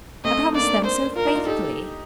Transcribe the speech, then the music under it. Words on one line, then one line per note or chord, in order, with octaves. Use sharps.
I promised them so faithfully!
A3 C4 D#5
D#4
A#3 D4 D5
C5
F4 A#4
D#4
D4 F4
D#4 G4 A4